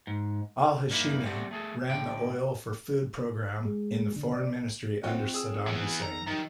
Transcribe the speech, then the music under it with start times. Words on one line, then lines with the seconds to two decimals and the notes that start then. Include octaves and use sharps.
Al-Hashimi ran the oil for food programme in the Foreign Ministry under Saddam Hussein.
0.07 G#2
0.90 G2 A#3 D#4 E4 A4 B5
1.25 G3 A3 C4 F#4 G4 A4
1.51 A3 G#4 A4
1.89 A2 D3 G5
3.65 G#3
4.16 D3
4.32 D5
5.03 C4 F4 F#4 D#5 G5
5.34 G#4 D#6 E6
5.66 E2 E3
6.02 D#3 A#5
6.27 D#3 F#3 G3 D#4